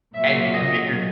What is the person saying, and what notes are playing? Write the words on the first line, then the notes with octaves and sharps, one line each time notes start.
and you commit your
A#2 F#3 E5
D#5